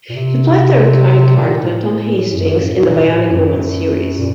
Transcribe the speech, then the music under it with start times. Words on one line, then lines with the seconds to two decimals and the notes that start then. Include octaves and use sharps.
He played the recurring character Tom Hastings in the "Bionic Woman" series.
0.10 A#2
0.16 C3
1.37 A#2
1.61 A2
2.33 F#2
2.58 A2
2.79 A2
2.82 A#2
3.06 A2
3.30 F#2
4.19 A#2